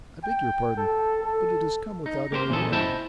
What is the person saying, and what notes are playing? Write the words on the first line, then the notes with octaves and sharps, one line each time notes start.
'I beg your pardon, but it has come without any warning.
G5
A4
A4
D#4
A#3 G4 A#4 C5
E2 A#2 C#3 G#4 A4
E4 C5 D#5 E5 G5 A5